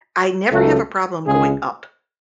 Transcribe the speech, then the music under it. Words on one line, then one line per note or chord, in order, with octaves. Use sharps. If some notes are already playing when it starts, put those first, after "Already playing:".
I never have a problem going up.
C#2 C#3 F#3 A3
C#2 C#3 G#3 G#4